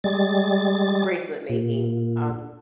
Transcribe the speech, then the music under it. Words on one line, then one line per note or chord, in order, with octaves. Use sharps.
bracelet making. Um,
G3 G#3 A6
A#2